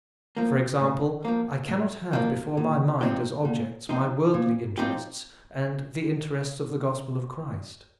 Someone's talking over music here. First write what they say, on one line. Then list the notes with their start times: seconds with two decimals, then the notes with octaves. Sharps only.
For example, I cannot have before my mind as objects my worldly interests and the interests of the gospel of Christ.
0.37 F3 A#3
0.81 A2
1.25 F3 A#3
1.69 A2
2.13 F3 A#3
2.57 A#2
3.01 F3 C4 D#4 G4
3.45 A#2
3.89 F3 C4 D#4 G4
4.34 A#2
4.78 F3 C4 D#4 G4